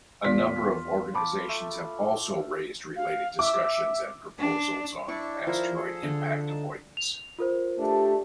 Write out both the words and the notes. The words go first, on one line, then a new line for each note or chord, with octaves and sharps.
A number of organizations have also raised related discussions and proposals on asteroid-impact avoidance.
E2 F4 D5 B6
A5 B5 D6
A3
F5
E5 D6
D4
D4 E4 D5 C#6
F3 E4 A#4 C5
G#4 A4
D3
D#4 A5
F7
F4 A#4 C5
A3 D4 G4